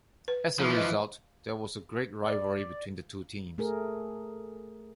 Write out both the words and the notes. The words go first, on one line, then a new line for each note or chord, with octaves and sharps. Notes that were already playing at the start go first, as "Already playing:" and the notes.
As a result, there was a great rivalry between the two teams.
B4
E3 F3
B4 D#5
D5
A3 G#4 A#4